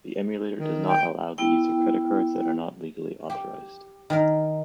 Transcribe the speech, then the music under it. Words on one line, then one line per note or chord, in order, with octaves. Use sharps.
The emulator does not allow the use of credit cards that are not legally authorized.
D#3
G5
B3 E4 G5
G4
D#3 A#4